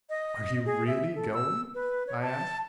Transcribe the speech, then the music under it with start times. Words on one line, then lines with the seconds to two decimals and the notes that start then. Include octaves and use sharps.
"Are you really going?" I asked.
0.09 D#5
0.66 G#4
0.87 E5
1.15 A4
1.34 E6
1.75 B4
2.07 C#5
2.22 A5